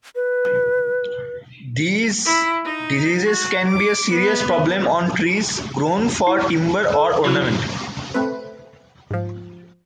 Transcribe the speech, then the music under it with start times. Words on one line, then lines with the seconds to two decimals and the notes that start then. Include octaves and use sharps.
These diseases can be a serious problem on trees grown for timber or ornament.
0.15 B4
2.25 E4
2.65 D#4
3.25 F#4
3.67 D6
4.11 B3
6.27 E4
6.93 A4
7.25 F#3 E4 F#4
7.42 F2 D3
8.14 A3 C4 B4
9.11 G#2 F3